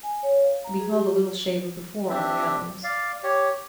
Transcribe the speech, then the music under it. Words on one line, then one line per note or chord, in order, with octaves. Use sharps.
To be called "a little shaver" before all the others!
G#5
C#5
F5
A#5
G#4
G4
C4 D4 G4 E5
D5 F5
G4 C#5